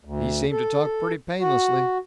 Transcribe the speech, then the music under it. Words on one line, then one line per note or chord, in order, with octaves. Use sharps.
He seemed to talk pretty painlessly.
D2
A4
F#4